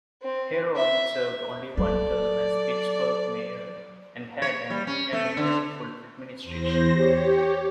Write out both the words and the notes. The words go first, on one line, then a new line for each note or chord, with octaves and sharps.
Herron served only one term as Pittsburgh Mayor and had an uneventful administration.
C4
E5
F#3 A4 D5 A5
C#5
G3
C#4
A3
D3
E2 C5 A#6
G4 C#5